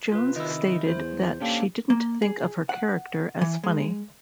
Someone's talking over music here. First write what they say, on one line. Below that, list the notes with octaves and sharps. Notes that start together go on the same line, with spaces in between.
Jones stated that she didn't think of her character as funny.
C3 F4 B4
D#3 E4 D#5 E6
E2 C5
A#3 C#4 D4 G4 A4
A#3
G#4
F#5
E3
G#3